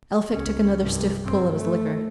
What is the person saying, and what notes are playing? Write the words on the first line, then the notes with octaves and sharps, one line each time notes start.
Elphick took another stiff pull at his liquor.
C#2 C#4
C2 G2
G2 C4
A3